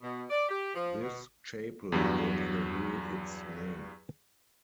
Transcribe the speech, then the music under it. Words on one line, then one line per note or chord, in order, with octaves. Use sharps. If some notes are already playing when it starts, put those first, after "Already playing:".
This chapel gave the hill its name.
B2
D5
G4
F3
B2
E2 G2 F#3